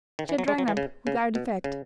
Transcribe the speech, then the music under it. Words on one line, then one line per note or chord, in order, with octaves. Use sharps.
She had rung up without effect.
D#3
E3
F#3
G#3
F#3
E3
C#3
C#3
B2
C#3